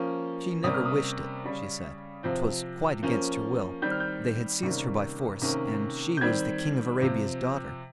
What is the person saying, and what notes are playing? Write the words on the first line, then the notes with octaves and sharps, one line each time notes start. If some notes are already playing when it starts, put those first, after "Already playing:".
She never wished it, she said; 'twas quite against her will. They had seized her by force, and she was the King of Arabia's daughter.
Already playing: F3 A#3 C#4
C3 G3 A#3 C#4 D#6
F6
D#6
C#3 G3 C#4
C3 F3 C4
F3 A#3 C#4
D#3 G3 C4 G6
F6
G6
C3 D#3 G3 A#3 C#4
C3 D#3 A#3 C#4
G6
D#3 G3 C4 G#6
C3 F3 C4